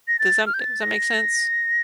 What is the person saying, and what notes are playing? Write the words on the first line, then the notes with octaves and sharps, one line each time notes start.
Does that does that make sense?
A#6
A6
F6
G6
A6
A#6